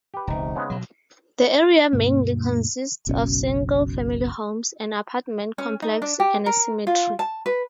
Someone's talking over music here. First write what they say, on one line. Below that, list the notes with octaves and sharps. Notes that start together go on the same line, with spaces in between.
The area mainly consists of single-family homes, an apartment complex, and a cemetery.
G4 B4
E1 C#2 C3 D#4
C#3 G#3 B3
B2 F#3
D2 G2 B2 A#3
F#1 B1 B2 C#4
C#4
D#4
D4
G4
A#4
F4
A5
B4